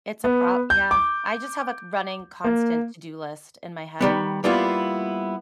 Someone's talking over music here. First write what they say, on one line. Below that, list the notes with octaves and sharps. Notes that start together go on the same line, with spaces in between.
It's a prob yeah, I just have a c running constant to-do list in my head.
B3
G6
D6
A#3
D#3 G3 B3
G3 A#3 B3 E4 F4